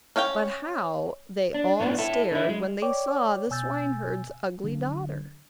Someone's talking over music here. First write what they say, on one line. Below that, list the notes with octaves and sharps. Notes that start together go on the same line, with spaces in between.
But how they all stared when they saw the swineherd's ugly daughter!
C#4 C#5 F5 G5
D4
A2 B3 D4
E4 A4
D3 E4
G#3
C#5 D5 G5 D6
C2 B2 G#5 E6 G6 A6
D3 F#3